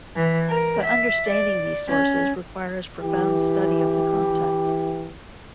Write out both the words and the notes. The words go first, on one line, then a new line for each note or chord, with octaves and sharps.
But understanding these sources requires profound study of the context.
E3
A#4
E5
D5
C#4
E3 G4